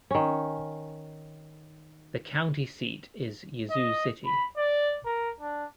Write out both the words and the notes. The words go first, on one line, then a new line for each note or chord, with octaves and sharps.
The county seat is Yazoo City.
D#3 C#4
D#5
B5
D5
A#4
D4